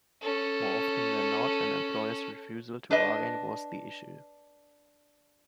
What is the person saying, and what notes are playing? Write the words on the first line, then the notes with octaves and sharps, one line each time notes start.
More often than not, an employer's refusal to bargain was the issue.
C#4 A4
D4 B4 D#5